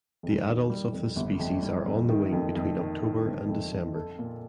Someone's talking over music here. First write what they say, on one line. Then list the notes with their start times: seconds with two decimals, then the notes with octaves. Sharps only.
The adults of this species are on the wing between October and December.
0.23 F2
0.46 D#3
0.70 G3
0.92 F2
1.16 G1
1.39 F2
1.63 G3
1.86 F2
2.09 D#3
2.32 F2
2.55 F2
2.79 D#3
3.02 D#3
3.25 G1
3.49 F2
3.72 F2
3.95 A4
4.19 A#2